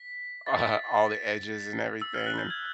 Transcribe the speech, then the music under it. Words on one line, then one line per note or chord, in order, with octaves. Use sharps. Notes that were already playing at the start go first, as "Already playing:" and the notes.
uh, all the edges and everything, and
Already playing: B6
A6
E6
F6
F#6
G6
G#6